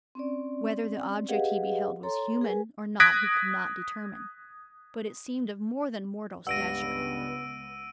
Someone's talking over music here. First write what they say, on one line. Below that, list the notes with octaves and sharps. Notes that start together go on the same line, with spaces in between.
Whether the object he beheld was human or not he could not determine, but it seemed of more than mortal stature.
C4 C#4 D5
G4 G#4 B4 D#5 F5 F#5
A4 C#5 A#5 C6
G#4 A#4 B4 G#5
D#6 F#6 G#6 A#6 B6 D7
C#2 G2 B3 F#5 E6 A#6 D7 D#7